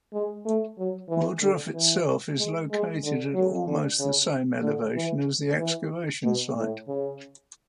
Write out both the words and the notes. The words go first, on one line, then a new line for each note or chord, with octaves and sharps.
Ohrdruf itself is located at almost the same elevation as the excavation site.
G#3
A3
F#3
E3
D3
E3
G#3
G#3
D3
F#3
D3
C#3
D3
E3
E3
B2
A2
C#3